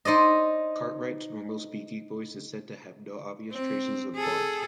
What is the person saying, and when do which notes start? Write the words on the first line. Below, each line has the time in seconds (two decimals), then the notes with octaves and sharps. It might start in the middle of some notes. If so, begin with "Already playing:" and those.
Cartwright's normal speaking voice is said to have "no obvious traces of Bart".
0.05 D#4 C5 D5 D#5
3.51 C4
4.16 G#4 A4